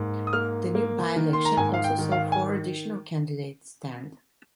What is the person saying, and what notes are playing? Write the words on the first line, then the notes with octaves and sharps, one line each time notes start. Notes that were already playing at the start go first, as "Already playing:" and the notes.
The new by-election also saw four additional candidates stand.
Already playing: G#2 A#3
D#6
A#3 F6
A#3
D#3
C6
A#5
G#2 G#5
F5
G5
D#3
F5
G#5